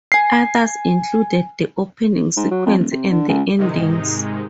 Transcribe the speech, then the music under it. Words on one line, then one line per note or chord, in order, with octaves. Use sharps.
Others included the opening sequence and the endings.
G#5 C7
G#2
F#3
F2
D#1
C3
D3
C#2
G#2 C3 D#3 G#3 D#4